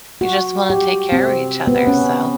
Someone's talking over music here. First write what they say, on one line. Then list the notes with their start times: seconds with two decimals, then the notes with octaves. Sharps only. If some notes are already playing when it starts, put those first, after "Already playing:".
you just wanna take care of each other, so
0.21 F#4
0.70 G4
1.12 C4
1.67 B3
1.87 C#4